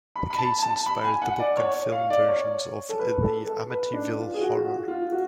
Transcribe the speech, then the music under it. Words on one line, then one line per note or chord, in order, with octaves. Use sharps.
The case inspired the book and film versions of "The Amityville Horror".
B5
B5
A5
A5
B5
G#5
F#5
D5
C#5
F5
D5
C#5
A4
B4
A4
A4
B4
D4
F4
G#4
F#4
F4
F#4
F4
F#4